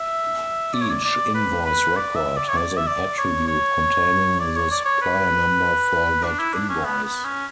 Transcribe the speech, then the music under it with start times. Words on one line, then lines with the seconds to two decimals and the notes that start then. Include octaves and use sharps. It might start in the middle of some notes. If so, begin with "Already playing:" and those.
Each invoice record has an attribute containing the supplier number for that invoice.
Already playing: E5
0.74 D5
0.81 C#5
0.90 D5
1.05 D5
1.35 B4
1.66 B4
1.96 D5
2.16 E5
2.37 D5
2.49 C#5
2.56 D5
2.77 E5
2.88 D5
3.18 C#5
3.48 C#5
4.39 D5
4.56 C#5
4.71 D5
4.85 C#5
5.01 B4
6.23 D4
6.39 E4
6.53 D4
6.69 C#4
6.84 B3
7.04 B3
7.25 C#4